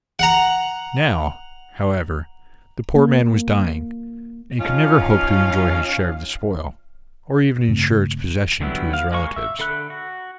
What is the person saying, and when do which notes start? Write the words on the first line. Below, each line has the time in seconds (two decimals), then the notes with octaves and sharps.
Now, however, the poor man was dying, and could never hope to enjoy his share of the spoil, or even insure its possession to his relatives.
0.19 F#5 A#5
2.95 A#3
4.60 F3 C#4 D#4 F4 F5
7.68 G2 C#3 A3 C4
8.61 D3 F#3 G3 B3 E4
8.93 F5
9.12 G#3 A#3 C#6
9.36 E5
9.59 D3 A4 B5 F#6
9.90 F#4